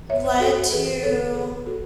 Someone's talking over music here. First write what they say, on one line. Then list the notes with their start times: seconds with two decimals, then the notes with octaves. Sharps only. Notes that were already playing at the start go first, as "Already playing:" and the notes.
led to
Already playing: E3
0.09 F#2 C#5 E5
0.25 C#5 E5
0.40 F#2 F#4 A4
0.72 E3 G#4 B4
1.03 D3 A4 C#5
1.34 E2 G#4 B4
1.66 F#4 A4